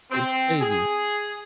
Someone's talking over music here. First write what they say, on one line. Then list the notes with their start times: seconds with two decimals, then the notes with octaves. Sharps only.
It's crazy.
0.12 C4
0.61 G#4